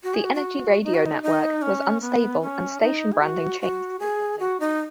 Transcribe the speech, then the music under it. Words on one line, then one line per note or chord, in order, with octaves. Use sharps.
The Energy Radio network was unstable and station branding changed frequently.
F#4
G#4
F#4
F#4
D#4
F#4
D#4
D#4
C#4
B3
C#4
D#4
G#4
F#4
F#4
G#4
F#4
D#4